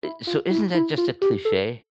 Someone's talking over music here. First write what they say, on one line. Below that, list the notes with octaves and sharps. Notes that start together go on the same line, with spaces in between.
Eh so, isn't that just a cliche?
E4
F4
E4
E4
F4
G4
A4